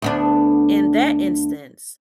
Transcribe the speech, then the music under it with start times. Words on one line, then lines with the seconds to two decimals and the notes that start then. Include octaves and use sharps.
in that instance,
0.02 D2 B3 D4